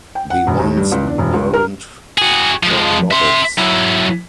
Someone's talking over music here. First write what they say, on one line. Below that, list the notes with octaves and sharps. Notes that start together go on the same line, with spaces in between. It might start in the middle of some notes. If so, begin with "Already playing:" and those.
The ones who weren't Jon Lovitz.
G5
F#5
E1
D#2
G2
C#2
D4
E1
C#2
A#4
F#4 G#4
F3 G#3
E5 C6
F#3 E4